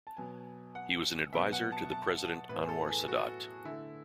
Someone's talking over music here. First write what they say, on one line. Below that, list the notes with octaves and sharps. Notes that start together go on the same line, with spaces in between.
He was an adviser to the President Anwar Sadat.
A5
B2 F#3 B3 G#5
F#5
B2 F#3 B3 E5
F#5
A5
A5
A2 E3 B3 B4
G#4
A4
G#4
F#4
D3 A3 E4